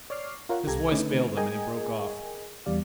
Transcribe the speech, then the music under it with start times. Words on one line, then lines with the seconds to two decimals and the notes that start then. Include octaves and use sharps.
His voice failed him, and he broke off.
0.10 C#5 D5 D6 F6 C7
0.49 F4 A#4 C#5 F5 F#5
0.67 C2 G4 A4 A#5 G#6
0.91 D3 A3 C#4 D#4 B4
1.37 G#4 A#4 D#5 G5 G#5
2.66 E2 G3 D5 F5